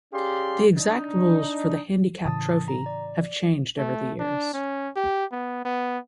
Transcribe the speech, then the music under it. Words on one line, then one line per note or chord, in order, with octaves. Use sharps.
The exact rules for the handicap trophy have changed over the years.
C#4 G4 G#4 D5 F5 C6
D4 D#4
A2 C#3 E3 A5 D#6 A6
A#5
D5
A3
D4
C#4
G4
B3
B3